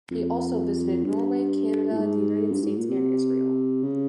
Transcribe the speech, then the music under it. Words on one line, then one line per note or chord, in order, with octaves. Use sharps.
He also visited Norway, Canada, the United States and Israel.
F2
G2
A#2
G#2
G2
G#2
A#2
C3
C#3